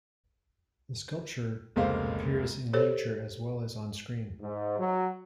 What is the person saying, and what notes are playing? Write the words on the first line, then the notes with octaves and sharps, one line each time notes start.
The sculpture appears in literature as well as onscreen.
F1 C#2 G#3 A#3 C5 F5
G4 A4 C5 C#5
G#2
F#3